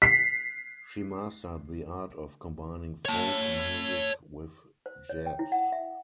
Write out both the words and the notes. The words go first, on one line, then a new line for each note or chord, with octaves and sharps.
She mastered the art of combining folk music with jazz.
B6 C7
C#5 A5
C5
C#5
G5
E4
F#5
E5